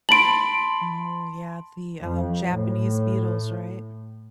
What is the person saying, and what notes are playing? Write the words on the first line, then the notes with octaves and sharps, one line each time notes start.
Oh, yeah, the, um, Japanese beetles, right?
A5 B5 C6 D7 F#7
F2
A2